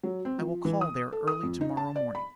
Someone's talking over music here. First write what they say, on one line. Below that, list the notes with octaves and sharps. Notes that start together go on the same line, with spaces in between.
I will call there early to-morrow morning.'
F#3
C4
F3
E3
D#6
A4
D#6
F2
D#4
A5
D5
B5